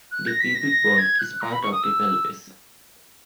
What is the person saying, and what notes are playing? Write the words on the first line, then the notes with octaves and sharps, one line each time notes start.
The pubic bone is part of the pelvis.
F#6
A#6
B6
A#6
G#6
F#6
A#5
B5
C#6
D#6
E6